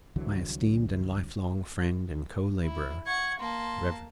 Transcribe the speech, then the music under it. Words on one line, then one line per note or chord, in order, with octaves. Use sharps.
My esteemed and life-long friend and co-laborer, Rev.
C2 D3 E3 F#3
E4
F#5 C#6 G#6
A#3 A5 C6